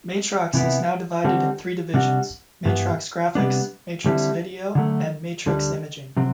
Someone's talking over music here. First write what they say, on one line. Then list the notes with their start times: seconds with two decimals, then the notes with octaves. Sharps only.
Matrox is now divided in three divisions: Matrox Graphics, Matrox Video, and Matrox Imaging.
0.54 C3 E3 B3 E4
1.24 D3 G3 C4 F#4
1.94 C3 G3 D4 F#4
2.65 G2 E3 B3
3.35 C3 G3 B3 D4
4.06 D3 G3 C4 E4
4.75 D3 F#3 A3
5.46 D2 D3 G3 D4
6.17 C3 F#3 C4